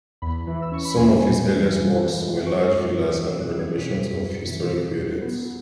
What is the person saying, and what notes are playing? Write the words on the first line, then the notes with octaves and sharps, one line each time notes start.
Some of his earliest works were large villas and renovations of historical buildings.
E2 B5
E3
E6
C#4 C#6
B5
E2 G#5
E2
E3
F#2
E3
G#3
F#2 C#6
F#2
E3
F#2 E6
F#6
E3
G#6
C#4
B6
F#2
F#2
E3
F#2
F#3
B3